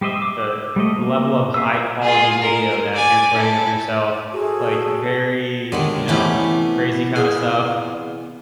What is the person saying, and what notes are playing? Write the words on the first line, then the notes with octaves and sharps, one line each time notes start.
the level of high quality video that you're putting of yourself, like, very, you know, crazy kinda stuff,
G3 G4 C5 D#5 E5
D6 E6
G3 A3 D#5
A#3
E5 F5 G#5 B5 E6
F4 G#4
A#4
D5 G#5
E4 A4
F#4 G#4 A4
D3 D#3 G#3 C#4 G4
C3 E3 A3 B3 C#4 G4
G#4